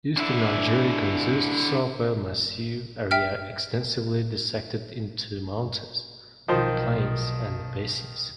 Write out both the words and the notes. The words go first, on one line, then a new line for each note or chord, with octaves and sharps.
Eastern Algeria consists of a massive area extensively dissected into mountains, plains, and basins.
D3 E4
E5 G5 F6
B1 D#3 F3 C5